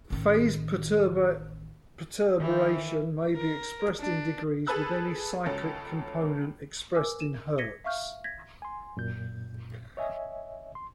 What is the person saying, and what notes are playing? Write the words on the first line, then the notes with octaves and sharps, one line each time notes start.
Phase perturbation may be expressed in degrees, with any cyclic component expressed in hertz.
A1 D#3
D#3 E3
A#4
D4
G#4 A4 B4 B5 E6 F#6
C#2 F#3 C#4 A4
A#4 G#5 D6 E6
D#7 E7
G#6 A#6 B6 C#7 D#7 G7
E5 F5 C#6 F6 G6
G6 G#6 A#6 B6
G#5 C6
F#2 A#2 G6
C#5 D#5 E5 G#5
C6